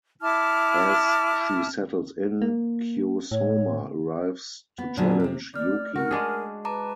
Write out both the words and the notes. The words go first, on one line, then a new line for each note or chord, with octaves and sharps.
As she settles in, Kyo Sohma arrives to challenge Yuki.
E4 A5 D6 F6
A#3
A2 C#5
B3
A#2 D3 F#3 B3 G#4
C3 C4
A3 D5 F6
F#4 A#4
G#3 D4 G#4
B4 A5 A#5 D6